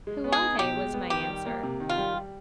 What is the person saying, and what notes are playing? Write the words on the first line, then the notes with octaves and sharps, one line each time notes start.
"Who are they?" was my answer.
G#3
B3
G#4
D#4
B2 G4
G#3
B3
D#3 G4
G3
A#3
C3
D#3
F4
G3
G3